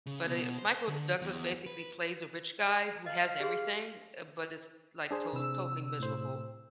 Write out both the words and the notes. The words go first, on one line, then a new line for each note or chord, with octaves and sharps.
but, eh, Michael Douglas basically plays a rich guy who has everything, eh but it's like to totally miserable,
C#3
B2
C5
D3
E2
B4
D#5 F5
G4 G#4 C6
D4 G#4 C5
C3 E6
A2 C5